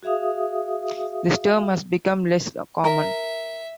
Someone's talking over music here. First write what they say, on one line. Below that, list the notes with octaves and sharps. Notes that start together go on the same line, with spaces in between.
This term has become less common.
F#4 G#4 E5 F5 D#6
A#4 E5